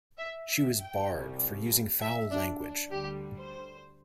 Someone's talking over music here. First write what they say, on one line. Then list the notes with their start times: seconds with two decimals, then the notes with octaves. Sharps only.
She was barred for using foul language.
0.17 E5
0.48 E5
0.78 G5
1.09 C2 C3 G3
2.00 E5
2.31 D4
2.61 D4
2.91 D2 D3 G3 G4
3.37 C5